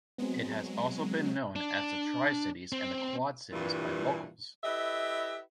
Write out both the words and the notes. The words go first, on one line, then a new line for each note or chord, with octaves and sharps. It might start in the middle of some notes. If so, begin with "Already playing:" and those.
It has also been known as the Tri-Cities and the Quad-Cities by locals.
F#3 G#3 B3 C4
D4
C4
G2 A#2 E3
E4 G4 A4 B4 D#5 E5